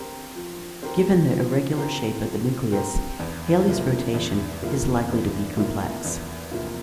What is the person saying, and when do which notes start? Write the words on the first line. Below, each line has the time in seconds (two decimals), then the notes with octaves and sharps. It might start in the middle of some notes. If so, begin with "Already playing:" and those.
Given the irregular shape of the nucleus, Halley's rotation is likely to be complex.
Already playing: C4 G4 A#4
0.35 F3
0.83 C4 G4 A#4
1.30 F3
1.77 C4 G4 A#4
2.24 F3
2.72 C4 G4 A#4
3.19 E2
3.67 C3 F3 A#3 E4
4.14 E2
4.62 C3 F3 A#3 E4
5.09 E2
5.57 C3 F3 A#3 E4
6.04 E2
6.51 C3 F3 A#3 E4